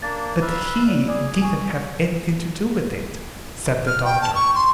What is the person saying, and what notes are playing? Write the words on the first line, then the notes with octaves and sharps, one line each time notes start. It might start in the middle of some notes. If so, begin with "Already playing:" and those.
"But HE didn't have anything to do with it," said the Doctor.
A#3 D4 A6
B4 E5 F5
C#5 D5
G#4 D5 D6
G#5 C#6
F6
G5
A5
C#6
C6